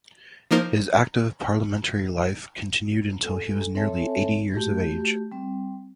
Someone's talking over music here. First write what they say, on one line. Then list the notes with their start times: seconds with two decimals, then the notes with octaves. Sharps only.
His active parliamentary life continued until he was nearly eighty years of age.
0.51 F3 A#3 D#4 A#4 C5
3.24 A4 G#5
3.75 C4 A4 C#5 E5 G#5 A5
4.55 A3 F#4 G4
5.32 G3 C4